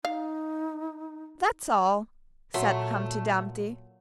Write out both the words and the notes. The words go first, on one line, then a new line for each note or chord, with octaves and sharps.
'That's all,' said Humpty Dumpty.
D#4 F5
A#2 F#3 A3 B5 C6